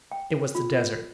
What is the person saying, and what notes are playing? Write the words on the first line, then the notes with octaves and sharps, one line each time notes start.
It was the Desert!
G5
F4